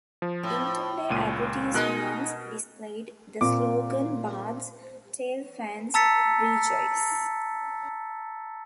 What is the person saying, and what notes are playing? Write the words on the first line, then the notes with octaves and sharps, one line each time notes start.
Interplay advertisements displayed the slogan Bard's Tale Fans Rejoice!
F3
A2
C#2 A#2 D#7
B2 G#3 D#4 A#4 F#6
A#2 C4 D6
A5 A#5 E6 A6 B6 C#7